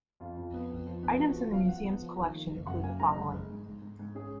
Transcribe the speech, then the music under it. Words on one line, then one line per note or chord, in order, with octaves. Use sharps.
Items in the museum's collection include the following.
F2 F4
F2
B3
F2
F3
B3
F3 F#4
F3 F#4
B3 F5
F3 F#5
B3
F3
D#3
A#3
F#1
F#2 F#5
A#3 G#5
F#1 A#5
G#3
G#3
G#2
G#2
G#2
G#2
C#4 G#4